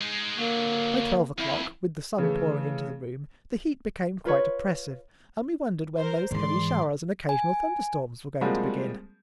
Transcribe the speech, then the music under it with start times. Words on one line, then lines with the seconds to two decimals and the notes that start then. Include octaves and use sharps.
By twelve o'clock, with the sun pouring into the room, the heat became quite oppressive, and we wondered when those heavy showers and occasional thunderstorms were going to begin.
0.01 G#3 D#4
0.38 D3 F#3 A#3
1.38 F2 E4
2.18 C#3 E3 A3
4.25 F4 B4 C#5
5.96 A#4 C5
6.31 G#2 E3 D5 C6
7.29 G#5
8.41 F3 G3 G#3 A#3 C4 F#4